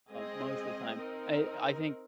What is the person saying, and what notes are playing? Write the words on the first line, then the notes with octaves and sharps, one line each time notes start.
uh, most of the time. Eh, I think
G#3 C4 G#4 D#5
C4 D#4 A#4